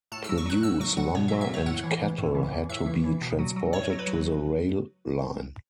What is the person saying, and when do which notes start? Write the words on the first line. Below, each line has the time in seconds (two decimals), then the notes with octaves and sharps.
Produce, lumber, and cattle had to be transported to the rail line.
0.12 A2 A5
0.24 F#3 E6
0.38 C#6
0.46 F#3 F#6
0.63 A2 E6
0.80 F#3 C#6
0.97 F#3 F#5
1.15 B2 C#5
1.28 F#3 E5
1.41 E5
1.49 F#3 C#5
1.66 A2 F#5
1.84 E3
2.01 E3
2.18 A2
2.35 E3
2.53 E3
2.69 A2 E5
2.86 E3
3.04 E3
3.21 B2
3.39 F#3
3.56 F#3
3.73 A2 C#5
3.90 F#3
3.99 B4
4.07 F#3